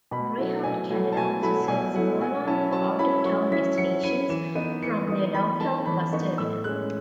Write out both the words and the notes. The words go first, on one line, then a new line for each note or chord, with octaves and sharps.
Greyhound Canada also serves Vernon for out-of-town destinations from their downtown bus terminal.
B2 B5
F#3 A3 E4
B2 G#5
F#3 A3 E4
A5
B2 G#5
F#3 A3 E4 B5
B2 G#5
F#3 A3 E4 F#5
F#3 G#5
C#4 E4 A5
F#3 A5
C#4 E4 B5
F#3 C#6
C#4 E4 B6
F#3 C#7
C#4 E4 D#7
E3 E7
B3 D#4 D#7
E3 C#7
B3 D#4 D#6
E3 B5
B3 D#4 A5
E3 B5
B3 D#4 C#6
A2 E6
G#3 C#4 F#6